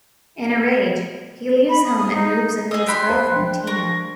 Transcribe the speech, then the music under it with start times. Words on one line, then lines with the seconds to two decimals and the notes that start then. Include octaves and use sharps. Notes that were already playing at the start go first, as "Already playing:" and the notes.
In a rage, he leaves home and moves in with his girlfriend Tina.
1.69 B5
1.84 D#6
1.97 D#6
2.15 D#4
2.71 G#4 D#5 E6
2.87 G5 B5 C6 F#6
3.10 C5
3.36 G#3 D4
3.67 A#4 C#6